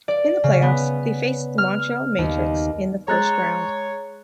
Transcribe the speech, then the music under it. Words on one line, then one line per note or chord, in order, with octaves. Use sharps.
In the playoffs, they faced the Montreal Matrix in the first round.
D5
C#3
B3
F6
D#2
G#3 C#5 A#5 F#6 A6